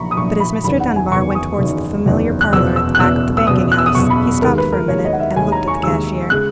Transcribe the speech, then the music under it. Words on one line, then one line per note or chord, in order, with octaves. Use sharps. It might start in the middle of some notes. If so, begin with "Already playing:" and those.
But as Mr. Dunbar went towards the familiar parlour at the back of the banking-house, he stopped for a minute, and looked at the cashier.
Already playing: A#1 A#2 F#3 A#5 B5 C#6
D#6
A#1 A#2 F#3 C#6
B5
F#1 E2 D#3 B5
F#5
G#5
F#1 E2 D#3 C#6
D#6
F#1 E2 D#3
F#1 E2 D#3
F#6
F#1 E2 B2 E6
E6
F#6
F#1 E2 B2 E6
E6
F#1 E2 B2 D#6
F#6
E6
D#6
F#1 E2 B2 C#6
B5
D#2 D#3 G#3 A#4
B4
A#4
D#2 D#3 G#3 C#5
D#5
F#5
E5
D#2 D#3 G#3 G#5
A#5
C#6
D#2 D#3 G#3 E6
C#3 G#3 F#6